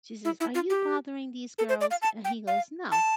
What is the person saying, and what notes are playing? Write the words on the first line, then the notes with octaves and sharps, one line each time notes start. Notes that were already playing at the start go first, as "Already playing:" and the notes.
she says, "Are you bothering these girls?" And he goes, "No."
E4
E4
F4
G4
A4
C5
D5
F5
A5
G5
F5
A5